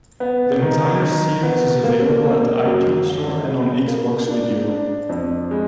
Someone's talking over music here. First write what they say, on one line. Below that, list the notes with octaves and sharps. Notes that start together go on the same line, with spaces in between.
The entire series is available at the iTunes Store and on Xbox Video.
B3
D#3
D#3
B3
A#3
A#3
F#2
F#3
C#3
A#3
D4
D4
F2
G#3